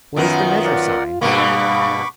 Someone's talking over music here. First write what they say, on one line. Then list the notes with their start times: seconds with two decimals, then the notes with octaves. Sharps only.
"What is the measure-sign?"
0.16 F#2 D#3 B3 F4
0.65 A#4 D5 F#5
1.21 G2 B2 A#3 F5 B5 C#6 D6